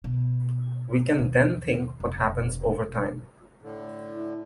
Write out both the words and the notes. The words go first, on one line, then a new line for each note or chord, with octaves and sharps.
We can then think what happens over time.
B2
D#2
F1
A2 D3
E4